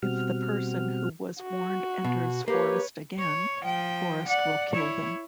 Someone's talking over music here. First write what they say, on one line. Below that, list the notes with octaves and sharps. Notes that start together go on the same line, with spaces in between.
If the person who was warned enters Forest again, Forest will kill them.
B2 G3 C4 F#4 F6
F#4
B2
A#3 G4 B4 C#5
C#5
F3 G5
D5 F#5
E4 C#5